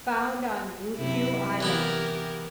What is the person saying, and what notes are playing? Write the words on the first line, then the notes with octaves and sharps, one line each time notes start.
Found on Ryukyu Islands.
F#2 C3 E4
E3 B3 E4 G4 A#4